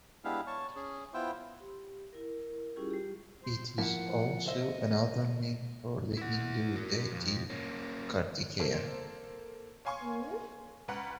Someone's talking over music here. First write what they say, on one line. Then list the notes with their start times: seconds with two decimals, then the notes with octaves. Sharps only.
It is also another name for the Hindu deity Kartikeya.
0.25 G#3 B3 D4 E4 G4 F5
0.47 C#5 A5 C#6
0.76 C#4 G#4
1.14 B3 E4 F4 C5 E5 G5
1.60 G4
2.13 E4 A#4
2.76 G3 C#4 E4 F4 G4 G#4
2.91 G3 G4
3.42 C5
3.78 F3 A#3 E4 F#5
4.47 C5 D#5 E5
6.17 E4 F#5
6.76 F#4 A#4
7.12 F2
7.50 A#3 C#4
8.59 A#3 A4 C5
9.85 C#5 F5 G#5 C6 C#6
10.88 C#2 B4 F#5 A#5